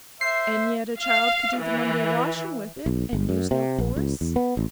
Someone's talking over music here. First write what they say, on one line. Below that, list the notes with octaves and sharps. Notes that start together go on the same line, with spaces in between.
"And yet a child could do the Monday washing with it and use no force."
C5 E5 C7
F5
E3
B1
G1
F#2
C3
A#1
C#2
E2
B3
A1